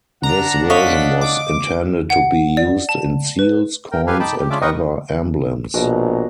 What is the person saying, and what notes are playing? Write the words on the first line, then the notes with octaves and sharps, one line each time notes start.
This version was intended to be used in seals, coins and other emblems.
D4 F#5 A#5
C#5 D#5 F5 B6
D6
F#5
D5
A5
B4
A#4 G5
G4 A4 B4 F5 G#5
D#4 G5 A5 B5 D6
G4
G#3 C#4 D4 F4 E5 D6
A#4 B4 D#5 G5 C#6 D#6
A#1 B2 A#5